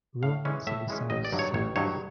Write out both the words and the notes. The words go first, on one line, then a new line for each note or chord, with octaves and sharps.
Romance in the South Seas!
A2 F5
E3 G#3 C#4
A2 E5
E3 G#3 C#4
A1 D#5
D5
G2 D#3 F#3
C#5
A1 C#5
G2 D#3 F#3 C#5